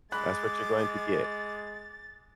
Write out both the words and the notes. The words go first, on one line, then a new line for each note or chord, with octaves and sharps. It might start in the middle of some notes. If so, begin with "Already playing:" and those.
That's what you're going to get.
G#3 B5 D6 F#6 A6